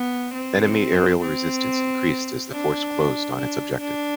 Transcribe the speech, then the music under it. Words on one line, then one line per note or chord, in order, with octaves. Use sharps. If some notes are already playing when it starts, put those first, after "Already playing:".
Enemy aerial resistance increased as the force closed its objective.
Already playing: B3
C4
C4
D4
D4
D4